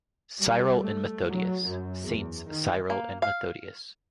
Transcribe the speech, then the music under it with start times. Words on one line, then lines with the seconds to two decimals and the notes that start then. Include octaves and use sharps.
Cyril and Methodius; Saints Cyril and Methodius.
0.39 G3
0.83 A3
1.28 F#3
1.66 F#2
2.02 E2
2.48 D#3
2.90 A#3
3.22 F5